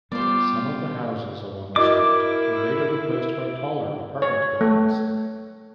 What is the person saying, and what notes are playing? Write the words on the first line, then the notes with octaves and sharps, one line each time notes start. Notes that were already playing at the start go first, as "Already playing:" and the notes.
Some of the houses along the street were later replaced by taller apartment buildings.
G3 B3 F4 G4 C5 D5
E4 F#4 A#4 B4 D#5 D6
C#5
A3